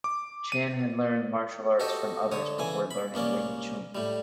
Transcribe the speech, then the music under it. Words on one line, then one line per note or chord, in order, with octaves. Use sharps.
Chan had learned martial arts from others before learning wing chun.
D6
D#7
F#4 G4 A4 D#5
D3 C#5 D#6
C#3 E3 G#5
B5
C2 A#3 C#4 D5
A2 G3